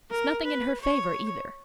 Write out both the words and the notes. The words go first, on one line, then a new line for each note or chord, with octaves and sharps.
It's nothing in her favour, either.
A#4
B4
C#5